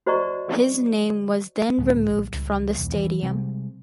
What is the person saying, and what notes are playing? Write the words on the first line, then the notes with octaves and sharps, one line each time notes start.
His name was then removed from the stadium.
F#4 C5 D5 D#5 A#5 C#6
C#2 A2 D3 G#3
A#1
C#2
E1 B1 E2
E3
C3 G3 G#3 C4